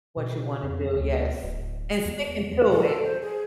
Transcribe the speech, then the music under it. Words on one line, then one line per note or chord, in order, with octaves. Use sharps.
What you wanna do. Yes, and sticking to it.
B2
F2
D2
D1
E2
A4
C5
G#4